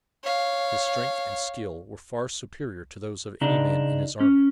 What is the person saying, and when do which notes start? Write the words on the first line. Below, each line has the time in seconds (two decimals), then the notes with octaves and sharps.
His strength and skill were far superior to those of any man in his army.
0.23 C#5 F5
3.41 C#3 D4 D#4
4.20 C#4